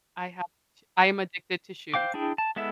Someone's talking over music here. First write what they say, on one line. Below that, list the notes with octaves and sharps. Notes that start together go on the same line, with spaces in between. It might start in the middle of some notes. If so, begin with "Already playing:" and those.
I have sh I am addicted to shoes.
C5 F5 G5 D6
D4 E4 G#4 G5
A5
G#3 B3 E4 A4 E5